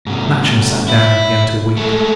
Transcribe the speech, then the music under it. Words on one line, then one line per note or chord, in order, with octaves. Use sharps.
Matcham sat down and began to weep.
G#2 C3
E4
G#3 A3